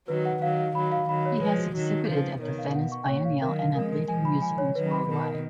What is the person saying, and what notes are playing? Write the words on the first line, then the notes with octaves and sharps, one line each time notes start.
He has exhibited at the Venice Biennial and at leading museums worldwide.
D#3 F#3 B4
F#5
D#3 F#3 F5
F5
D#3 F#3 B5
F5
D#3 F#3 B5
C#5
F3 G#3 B4
F#4
D#3 F#3 D#4
D#4
C#3 F3 B4
B4
B2 D#3 C#5
F5
B2 F#5
C#6
A#2 C#5
F5
D#3 F#3 A#4
F5
F3 G#3 A#4
A#4
F3 G#3 G#5
B5
G#5
C#5
D#3 F#3 B4
B5
B2 D#3 A#4
A#4